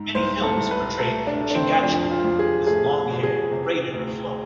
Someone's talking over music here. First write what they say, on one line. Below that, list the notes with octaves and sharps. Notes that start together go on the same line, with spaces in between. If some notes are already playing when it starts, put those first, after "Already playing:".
Many films portray Chingachgook with long hair, braided or flowing.
Already playing: G#2
C2 C5
A4
C2
B4
A3 A4
D4
A3
D4
C4
F2 D4
F4
F2
G#4
A3 G#4
B2
G#4
C3
D2